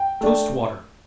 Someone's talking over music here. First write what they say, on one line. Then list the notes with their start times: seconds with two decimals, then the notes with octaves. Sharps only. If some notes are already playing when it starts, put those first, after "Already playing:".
Toast Water.
Already playing: G5
0.21 A3 D4